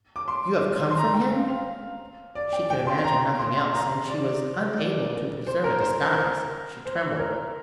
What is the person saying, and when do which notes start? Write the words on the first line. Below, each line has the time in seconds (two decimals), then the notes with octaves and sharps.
"You have come from him?" she could imagine nothing else, and she was unable to preserve a disguise; she trembled.
0.16 D6
0.28 C6
0.91 C6
0.97 A#5
1.14 G5
1.32 F5
1.48 F5
2.35 D5
2.53 G5
2.70 G5
2.87 C6
2.97 C6
3.04 A#5
3.39 C6
3.56 C6
3.73 A#5
3.91 C6
4.09 D5
4.78 D5
5.47 C5
5.64 A#4
5.81 C5
6.15 A#4
6.85 C5
7.19 A#4